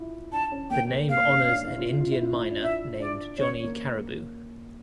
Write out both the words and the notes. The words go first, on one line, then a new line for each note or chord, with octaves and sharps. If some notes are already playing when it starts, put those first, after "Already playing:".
The name honors an Indian miner named Johnny Caribou.
Already playing: E4 F4
D4 A5
C#4
A#3 G5
A#3
A#3 F5
C#4
D4
E4
F4
E4
F4
E4
F4
E4
D4
E4 E5
D4 D5
C#4 C#5
A#3